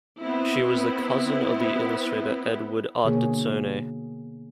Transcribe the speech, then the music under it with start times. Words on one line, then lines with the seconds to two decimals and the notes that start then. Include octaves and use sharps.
She was the cousin of the illustrator Edward Ardizzone.
0.22 B3 C4 E4
3.05 B2 D3 A#3 G#4 C#5